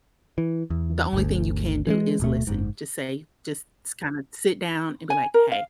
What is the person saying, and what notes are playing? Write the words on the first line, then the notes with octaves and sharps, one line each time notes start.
the only thing you can do is listen, just say just kinda sit down and be, like, "Hey,
E3
E2
G1 D2
E3 G3 G#3
D1 B2 A3
F#1 G#2
G#5
A#4
F5